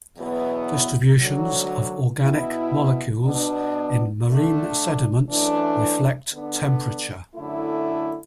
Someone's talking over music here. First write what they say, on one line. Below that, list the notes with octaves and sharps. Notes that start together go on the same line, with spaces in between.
Distributions of organic molecules in marine sediments reflect temperature.
E2 B2 F#3 B3 E4
D2 D3 F#3
B2 B3 E4
B2 B3 D4
D3 A3 D4
F#2 E3 A3 D4
D3 B3 D4
F#2 D3 A3 E4